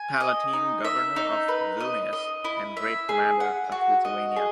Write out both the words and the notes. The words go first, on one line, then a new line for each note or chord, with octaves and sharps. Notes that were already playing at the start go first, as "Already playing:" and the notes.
Palatine-Governor of Vilnius and Great-Commander of Lithuania.
Already playing: G#5
D#5
D#4
E5
D#4
B4
D#5
D#5
E4
E5
G#4
F#5
F#4
D#5
G#4